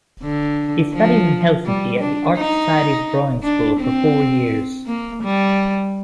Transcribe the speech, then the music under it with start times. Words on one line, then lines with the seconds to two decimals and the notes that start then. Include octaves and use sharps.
He studied in Helsinki at the Art Society's Drawing School for four years.
0.23 D3
0.94 F3
1.65 G3
2.00 D4
2.37 D#4
3.43 D4
3.80 C4
4.87 A#3
5.23 G3